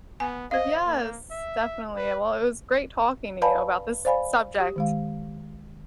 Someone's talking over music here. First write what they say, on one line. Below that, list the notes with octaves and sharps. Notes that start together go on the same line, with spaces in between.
Yes, definitely. Well, it was great talking to you about this subject.
B3 G#5
C5 D#5 F5
A#3
E5
B4
B4 D5 F5 G#5 A5 B5
C5 D5 F5 G#5 B5
G4
D#3 G#3 F5